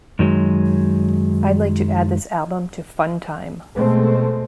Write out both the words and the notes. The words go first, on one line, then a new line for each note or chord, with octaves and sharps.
I'd like to add this album to funtime.
F#2 D#3 F#3 G#3
B2 G#3 A3 C4